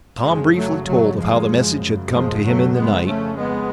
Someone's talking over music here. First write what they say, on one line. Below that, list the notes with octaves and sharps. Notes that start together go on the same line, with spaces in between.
Tom briefly told of how the message had come to him in the night.
F#2 C#3 F3 G#3
F#3 A3
F#3 A3
F3 G#3
F#2 C#3
F3 G#3
F#3 A3
F2 C#3 G#3 B3
A3 C#4
G#3 B3